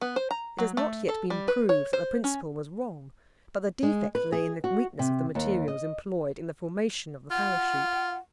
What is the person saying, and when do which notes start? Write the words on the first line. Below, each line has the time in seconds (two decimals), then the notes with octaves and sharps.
It has not yet been proved that the principle was wrong, but the defect lay in the weakness of the materials employed in the formation of the Parachute.
0.01 B3
0.16 C5
0.31 A#5
0.58 F#3
0.77 A3
1.09 A4
1.30 G3
1.48 B4
1.69 C#5
1.93 C5
2.24 C#4
3.83 G#3
4.15 B4
4.32 G#4
4.64 F#4
4.99 C3
5.35 D#2
5.68 D#5
7.31 F4 F#5